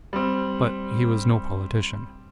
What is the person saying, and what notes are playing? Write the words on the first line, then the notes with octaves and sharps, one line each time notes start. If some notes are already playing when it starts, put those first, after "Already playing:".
But he was no politician.
G3 C4